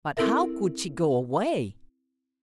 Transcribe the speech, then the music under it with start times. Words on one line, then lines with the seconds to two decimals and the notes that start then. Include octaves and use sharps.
But how could he go away?
0.17 C4 E4 A4 A#4 E5